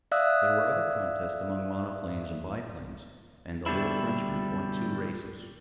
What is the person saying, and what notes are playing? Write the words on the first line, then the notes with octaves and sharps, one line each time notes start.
There were other contests among monoplanes and biplanes, and the little Frenchman won two races.
D5 E5 F5 D#6 E6 F#6
B2 D3 G3 D4 E4